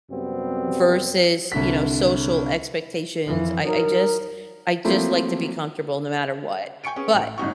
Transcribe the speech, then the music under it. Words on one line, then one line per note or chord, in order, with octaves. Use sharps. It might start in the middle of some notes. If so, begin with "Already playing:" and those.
versus, you know, social expectations. I I just I just like to be comfortable no matter what. But
F#2 C3 G3 B3 C4
C2 D3 B6
F2 E3
F#3 D#4 A#4
F3 F#3 A3 A#3 C4 E4
G5 G#5 C#6 C#7 D7
B3 C#4 G#4
A1 G5
G1 A2 C#4 D#4 F#4 C#6